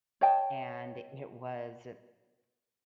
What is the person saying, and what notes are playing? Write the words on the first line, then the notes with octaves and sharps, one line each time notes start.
and it was
C#5 D#5 G5 A5